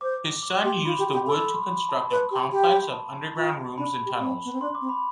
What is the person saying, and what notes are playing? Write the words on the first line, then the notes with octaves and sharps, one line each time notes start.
His son used the wood to construct a complex of underground rooms and tunnels.
C5 D6
D6
G4 C6
F4 B5
G4
G4
A4 B5
B5
C6
B5
A5
B4
G4
G4
A5
F4
D4 B5
G4
C4
B3
C4
D4 C6
D6
C4
B5